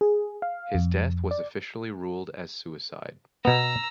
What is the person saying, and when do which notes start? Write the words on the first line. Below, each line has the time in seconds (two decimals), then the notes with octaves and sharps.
His death was officially ruled as suicide.
0.01 G#4
0.42 F5
0.74 F2
1.31 D5
3.45 B2 B3 A#5 E6